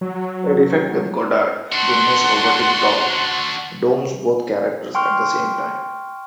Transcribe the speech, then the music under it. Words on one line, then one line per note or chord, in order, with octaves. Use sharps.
A defect with Goddard, Jimmy's robotic dog, dooms both characters at the same time.
F#3
D4 F#4 F#5 C6
G5 C6 C#6 F6